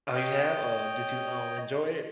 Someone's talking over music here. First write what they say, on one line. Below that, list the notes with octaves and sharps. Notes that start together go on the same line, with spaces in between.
oh, you have? Uh, did you, um, enjoy it?
C#5 D#5 G5